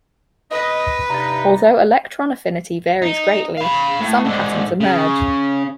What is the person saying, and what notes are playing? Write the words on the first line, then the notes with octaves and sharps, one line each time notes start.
Although electron affinity varies greatly, some patterns emerge.
B4 D#5
G2 C3 D#4 A#5 A6
D#4
F5 B5
A2
G#2 D3
C#3